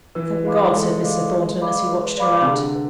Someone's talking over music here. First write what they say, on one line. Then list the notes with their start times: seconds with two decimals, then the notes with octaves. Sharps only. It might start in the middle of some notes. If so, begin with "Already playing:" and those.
'Thank God!' said Mr. Thornton, as he watched her out.
0.15 E3 B4
0.44 G#3 D5 F5 B5 D6
0.63 G#3
0.73 A3 B4
1.01 G#3 D5 F5 B5 D6
1.31 B4
1.60 D5 F5 B5 D6
1.88 B4
2.18 D5 F5 B5 D6
2.41 C3
2.46 D3 G#4
2.75 B4